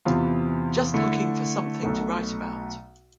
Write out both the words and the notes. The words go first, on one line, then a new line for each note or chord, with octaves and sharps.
Just looking for something to write about.
E2 C3 E3 B3 F4
D3 A3 E4
B1 B2 A3